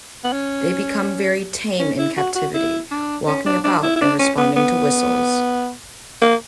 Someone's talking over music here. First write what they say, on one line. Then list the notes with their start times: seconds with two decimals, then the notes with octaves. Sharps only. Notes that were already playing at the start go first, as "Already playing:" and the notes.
They become very tame in captivity, walking about and responding to whistles.
0.24 B3
0.32 C#4
1.79 C#4
1.98 E4
2.17 F#4
2.35 F#4
2.54 E4
2.91 D4
3.27 C#4
3.46 D4
3.64 D4
3.83 E4
3.96 E4
4.01 D4
4.19 C#4
4.37 B3
4.56 B3
6.22 A#3